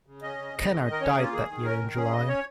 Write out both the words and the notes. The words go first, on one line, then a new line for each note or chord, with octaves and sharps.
Kennard died that year in July.
C#3
C#4 D#5
C#3
C#3
D#3
D#3
A#4
C#4 C#5
G#4
A#3
F4
D#3 G#4
D#3
C#4 A#4
D#3
C#4 G#4
C#3 D#5
C#4 C#5